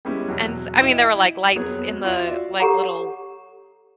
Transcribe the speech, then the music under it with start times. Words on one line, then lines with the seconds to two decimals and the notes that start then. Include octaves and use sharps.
and s I mean there were, like, lights in the, like, little
0.05 G3 G#3 B3 C#4 E4
0.28 E2 B2 F#3
0.80 E4 D#5 G5
1.55 F2 F#3 B3 G#4 C#5
2.04 F4 F#4 D5 E5
2.59 G4 A4 C#5 F#5 A#5 D6